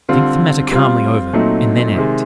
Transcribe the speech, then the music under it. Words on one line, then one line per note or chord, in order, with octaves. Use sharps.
Think the matter calmly over, and then act.
D3 G3 C4 F4
G3 C4 F4
A#2 F#3 A3 C4 D#4
C3 D#3 G#3